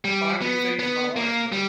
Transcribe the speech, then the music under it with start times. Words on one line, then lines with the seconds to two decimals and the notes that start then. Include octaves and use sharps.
find new things in my life, you know?
0.05 G3
0.41 B3
0.79 B3
1.16 A#3
1.52 G3